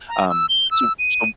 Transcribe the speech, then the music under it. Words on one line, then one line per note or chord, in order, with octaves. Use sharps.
Um, so so
A#5
E6
G7
E6
D#7